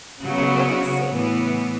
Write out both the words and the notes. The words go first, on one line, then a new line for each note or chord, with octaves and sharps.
"You can look and see."
C#3 F#3 B3 F#4
A2 E3 B3